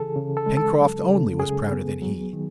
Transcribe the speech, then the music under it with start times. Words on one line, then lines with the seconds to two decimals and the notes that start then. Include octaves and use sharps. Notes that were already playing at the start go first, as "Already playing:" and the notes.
Pencroft only was prouder than he!
Already playing: C#3 E3 G#4 A4
0.16 C#3
0.37 A4
0.46 G#3
0.57 A4
0.78 F#3
1.09 C#3
1.40 C#3 G#4
1.72 B3
2.02 F#3
2.33 D#3